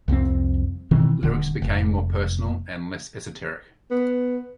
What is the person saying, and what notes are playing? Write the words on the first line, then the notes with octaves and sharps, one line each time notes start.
Lyrics became more personal and less esoteric.
C2 F2 E3 C4
B2 D#3 E3 C4
D#1 D3
F1
B3